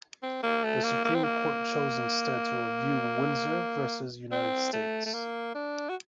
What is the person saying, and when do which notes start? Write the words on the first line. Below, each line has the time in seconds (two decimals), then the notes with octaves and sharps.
The Supreme Court chose instead to review "Windsor versus United States".
0.23 C4
0.43 A#3
0.64 A3
0.84 A#3
1.04 A#3
1.14 C4
1.23 A#3
4.32 C4
4.73 A3
5.06 A3
5.14 A#3
5.55 D4
5.89 F#4